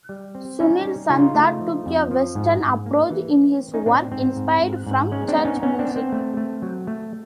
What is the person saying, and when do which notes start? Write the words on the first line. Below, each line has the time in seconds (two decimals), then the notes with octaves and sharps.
Sunil Santha took a Western approach in his work inspired from Church music.
0.09 G3
0.35 C4
0.59 G3 C#4 D#4
0.85 G3
1.09 C#3 D#4 F4
1.35 A3
1.61 F3
1.86 F2
2.11 F3
2.35 G#2
2.61 G#2
2.86 A#3
3.10 E3
3.36 A3
3.62 C4
3.74 C#4 D#4
3.86 A2 C4 D4
3.99 C4
4.11 G#2 C4
4.37 G#2
4.62 G#2
4.87 G#2
5.11 G#3 C#4
5.28 C4 D4
5.38 B3
5.45 C#4 D#4
5.62 B3 C#4
5.79 C4 D4
5.88 B3
5.96 C4
6.12 A3
6.37 A3
6.62 F#3
6.87 A3